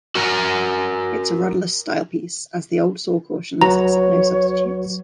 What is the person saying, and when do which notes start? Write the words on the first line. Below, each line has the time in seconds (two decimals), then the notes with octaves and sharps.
It's a rudderless style piece; as the old saw cautions, accept no substitutes.
0.15 F#4 A#4 F#5 A5 A#5
3.61 C#2 F#3 F#4 B4 C#5 A#5